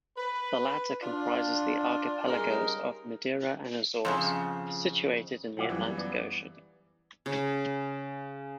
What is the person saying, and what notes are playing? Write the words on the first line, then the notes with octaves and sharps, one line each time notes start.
The latter comprises the archipelagos of Madeira and Azores, situated in the Atlantic Ocean.
B4
D4 F4
C#3 G3 G#3 D#4 G#4 A#4
F2 A2 C#3
B1 C4 F4 F#4 D5 E5
F#2 E3 G3 B3
B3 D5
C#3